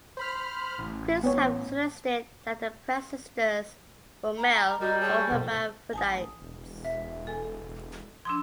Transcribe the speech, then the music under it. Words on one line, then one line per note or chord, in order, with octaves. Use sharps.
Critics have suggested that the Press sisters were male or hermaphrodites.
C5 B5 F6
A1
B3 C#5
A#5
G3 F#4 A#4 D#5
G#4 C#5 A5
G#2 B2 D#3 F3 A4
A1 G#5 A5 D#6
E1
E5
A4 G#5
F3 D4 C6 D#6 E6